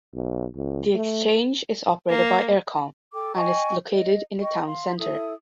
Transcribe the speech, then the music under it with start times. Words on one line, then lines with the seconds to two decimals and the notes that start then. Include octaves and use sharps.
The exchange is operated by eircom and is located in the town centre.
0.14 B1
0.55 C#2
0.95 A3
2.10 A#3
3.14 A4 G5 D6
3.36 D#5 G5 G#5 C#6
3.92 D#5
4.42 D#5 G5 C#6
4.65 F5 C6
4.98 E4 A4 D#6